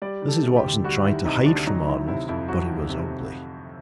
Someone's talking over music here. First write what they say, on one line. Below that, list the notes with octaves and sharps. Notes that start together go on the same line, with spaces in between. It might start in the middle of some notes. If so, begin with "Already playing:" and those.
Mrs. Watson tried to hide from Arnold, but he was ugly.
G3 D5
D#3
A4
C3
G4
D2
G3 F#4
D#3 E4
C3 D#4
D2 D4
F#3 D#4
D#3 E4
C3 E4
F2 E4
F#3 F#4
D#3
C3